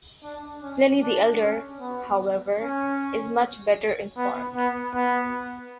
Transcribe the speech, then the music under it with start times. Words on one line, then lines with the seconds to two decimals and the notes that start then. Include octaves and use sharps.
Pliny the Elder, however, is much better informed.
0.23 D4
0.62 C#4
1.01 D4
1.41 C#4
1.80 B3
2.59 C#4
4.17 B3
4.56 B3
4.94 B3